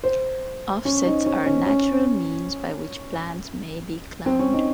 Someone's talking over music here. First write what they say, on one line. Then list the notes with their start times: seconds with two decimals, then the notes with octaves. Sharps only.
Offsets are a natural means by which plants may be cloned.
0.04 C5
0.85 C#4
1.06 D#4
1.26 C#4
1.46 C#4
1.66 C#4
4.26 C4
4.39 C#4
4.53 D#4